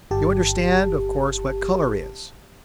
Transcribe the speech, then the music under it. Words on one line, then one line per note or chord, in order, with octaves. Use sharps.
You understand, of course, what color is?
G1 G4 A5